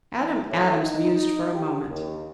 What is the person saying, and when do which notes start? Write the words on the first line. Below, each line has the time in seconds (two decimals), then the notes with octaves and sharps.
Adam Adams mused for a moment.
0.16 E3
0.47 A2
0.80 D#4
1.12 D#4
1.54 G4
1.87 D#2